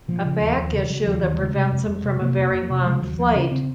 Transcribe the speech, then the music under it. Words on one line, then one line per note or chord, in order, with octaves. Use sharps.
a back issue that prevents him from a very long flight.
A#2 F3
C#3
D#2
D#2
C#3
C#3 F#3
D#2 F3
D#2 D#3
F#3
C#3 G#3
C3
F2
F2
C3
C3 A#3
F2
F2
C3
C#3 G#3
D#2 F#3
D#2 F3
C#3 C#4
C#3 C4